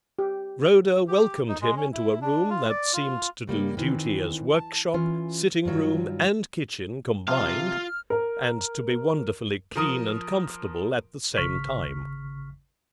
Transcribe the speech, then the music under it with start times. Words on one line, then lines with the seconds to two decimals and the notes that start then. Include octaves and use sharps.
Rhoda welcomed him into a room that seemed to do duty as workshop, sitting-room, and kitchen combined, and to be wonderfully clean and comfortable at the same time.
0.19 G4
1.08 G4
1.48 D#4
1.62 G#3
1.77 C#4
1.93 E4
2.22 D4
2.50 F4
2.70 D5
2.93 F4
3.47 C#3 G3 A#3
3.77 D#3 E3 C4
4.54 A5
4.94 E3 C#4 F4
5.65 G2 D#3 F#3 F4
7.28 C3 F3 F4 F5 F6
8.10 A#4
9.76 F3 A#4 D#6
11.37 G#1 C#3 C#6 F6 B6